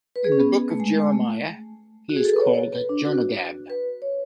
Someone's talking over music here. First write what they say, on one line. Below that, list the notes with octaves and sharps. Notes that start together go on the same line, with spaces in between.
In the Book of Jeremiah he is called Jonadab.
B4
G#4
C#4
B3
A3
G#3
G#3
A3
F#4
G#4
A4
B4
C#5
B4
D4
F#4
B4
C#5